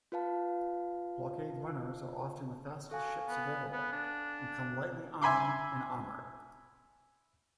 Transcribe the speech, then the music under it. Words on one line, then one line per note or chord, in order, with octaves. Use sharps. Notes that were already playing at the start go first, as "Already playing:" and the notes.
Blockade runners are often the fastest ships available, and come lightly armed and armored.
F4 B4 F5 A5
F#4 A4 F5 G#5
B3
B3
D4
E5 G#5 B5 C6 D6